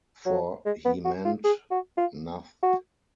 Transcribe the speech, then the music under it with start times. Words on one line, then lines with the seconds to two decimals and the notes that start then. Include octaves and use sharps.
For he meant nought.
0.26 F#3
0.66 G#3
0.85 B3
1.05 F#4
1.25 F4
1.44 G#4
1.71 F#4
1.97 F4
2.63 F#4